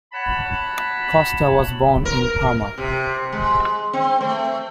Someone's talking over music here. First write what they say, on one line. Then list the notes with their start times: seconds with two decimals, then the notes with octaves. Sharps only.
Costa was born in Parma.
0.12 C#5 F#5 A5 B5
2.05 A#4
2.78 C3
3.32 G#3
3.93 C4
4.21 A3